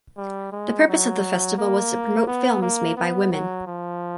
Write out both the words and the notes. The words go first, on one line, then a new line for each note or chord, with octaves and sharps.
The purpose of the festival was to promote films made by women.
G3
G#3
F#3
A#3
B3
A#3
B3
F#3
F3